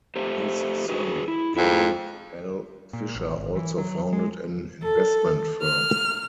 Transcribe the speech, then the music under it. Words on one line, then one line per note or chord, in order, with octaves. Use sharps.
His son Kenneth L. Fisher also founded an investment firm.
A3 G4 C5
F#4 G#4 B4
E4
F2 E4 G#4
A#2
A1
G#1
E3
F#3
G#3
A4
F6